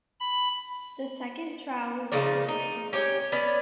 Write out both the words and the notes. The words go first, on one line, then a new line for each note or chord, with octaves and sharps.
The second trial resulted in a conviction.
B5
C#3 F3 D#4 D5
D#4
C#4 G4 C#5
B3 C#4 D5